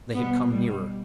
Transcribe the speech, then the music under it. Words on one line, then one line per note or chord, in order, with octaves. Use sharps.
They had come nearer.
B2 G3 B3
G3